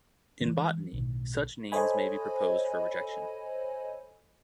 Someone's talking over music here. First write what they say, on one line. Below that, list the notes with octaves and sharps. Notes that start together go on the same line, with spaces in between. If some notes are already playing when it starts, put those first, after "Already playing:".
In botany, such names may be proposed for rejection.
E3 G3 G#3
B1 A2 D#3
A4 C5 C#5 D#5 G#5 B5